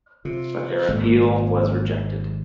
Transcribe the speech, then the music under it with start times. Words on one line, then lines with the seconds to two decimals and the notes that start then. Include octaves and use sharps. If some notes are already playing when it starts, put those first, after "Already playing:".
But their appeal was rejected.
0.25 C3 F4
0.88 G#1 G#2 G#3 A#3